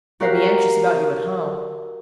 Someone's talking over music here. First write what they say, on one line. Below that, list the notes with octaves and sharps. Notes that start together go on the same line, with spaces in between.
They'll be anxious about you at home.
F#4 G4 A#4 F5 B6 C7